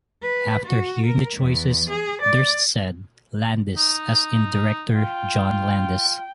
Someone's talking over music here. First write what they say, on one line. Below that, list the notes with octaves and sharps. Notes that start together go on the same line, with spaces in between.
After hearing the choices, Durst said "Landis," as in director John Landis.
B4
F#4
A#4
E2
G#4
D5
D#4
F4 G5